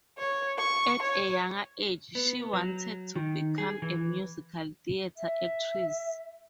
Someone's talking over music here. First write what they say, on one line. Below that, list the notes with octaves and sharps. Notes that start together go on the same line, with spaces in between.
At a younger age, she wanted to become a musical theatre actress.
C#5
C#6
C#5
B3
F#3
D#3
G#4
E3
E5